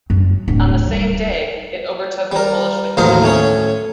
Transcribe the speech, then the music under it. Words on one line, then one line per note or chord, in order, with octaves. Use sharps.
On the same day, it overtook the Polish Wikipedia.
F#2
D1
G3
G3 A#4
A1 D#2 F#3 C5 F5 D#6
A2 C#4 C#5 G#5